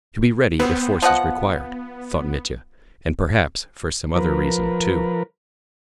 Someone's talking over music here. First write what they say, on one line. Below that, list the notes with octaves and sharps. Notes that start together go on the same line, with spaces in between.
"To be ready if force is required," thought Mitya, "and perhaps for some other reason, too."
B3 C4
F3 D#5 F#5
F3 A#4 B4